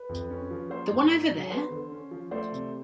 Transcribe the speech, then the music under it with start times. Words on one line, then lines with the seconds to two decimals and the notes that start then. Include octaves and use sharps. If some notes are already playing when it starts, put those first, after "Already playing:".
The One Over There?!
Already playing: B4
0.09 F2
0.30 C#4
0.51 F3
0.70 A#3 C5
0.90 G#2
1.11 D#4
1.30 F#3
1.42 C#5
1.50 B3 C5
1.71 D3
1.92 C#4
2.11 F3
2.31 A3 C5 D5
2.52 C3